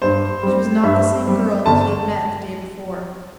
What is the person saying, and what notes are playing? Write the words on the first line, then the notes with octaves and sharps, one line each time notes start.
She was not the same girl that he had met the day before.
G2 C5
G3 C4
G2 E5
G3 C4
G1 A5